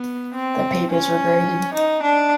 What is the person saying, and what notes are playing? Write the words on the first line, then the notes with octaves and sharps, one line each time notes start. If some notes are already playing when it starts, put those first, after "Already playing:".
The papers were graded.
Already playing: B3
C4
C#4
D#4
D4